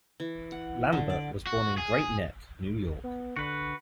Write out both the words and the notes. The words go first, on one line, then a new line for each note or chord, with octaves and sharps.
Lambert was born in Great Neck, New York.
E3
F#5
D3
D5
F#4
G#4
B3
D3 F#4 B4